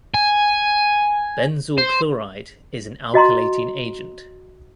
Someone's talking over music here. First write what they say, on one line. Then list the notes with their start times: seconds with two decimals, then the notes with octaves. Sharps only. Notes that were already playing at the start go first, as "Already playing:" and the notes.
Benzyl chloride is an alkylating agent.
0.14 G#5
1.78 C5
3.14 F#4 D#5 A#5 C6